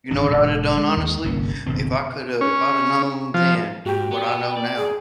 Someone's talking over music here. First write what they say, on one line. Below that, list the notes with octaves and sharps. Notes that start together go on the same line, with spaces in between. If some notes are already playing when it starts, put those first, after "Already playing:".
You know what I would've done, honestly? If I coulda if I'd have known then what I know now,
D1 G#1 A2 D4
E1 G#2
G#3
D#2 G#3
G1 C2 A#3 C#4
F#1 B2 D#3 C4
C#4
F3
G#2 F#4 G4 G5
B3
D5
G#4